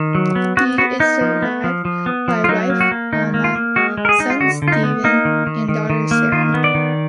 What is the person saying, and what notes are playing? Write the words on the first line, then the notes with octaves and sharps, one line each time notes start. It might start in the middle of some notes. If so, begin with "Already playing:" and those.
He is survived by wife Alma, son Steven and daughter Sara.
Already playing: D#3
F#3
B3
B3 F#4
B3 F#4
B3 D#4
F3
B3
F3
F3
B3
F3
F4
F#3 D#4
A#3
F#4
A#3
D#3 D#4
A#3
F4
A#3
G#3 F#4
G#3
A#4
G#4
G#3 D#4
F4
D3 F#4
D3
F4
D#4
B3
A#3 D#4
D#3
D#3
D#3
D#3
A#3
D#3 F4
B3
D5
D#3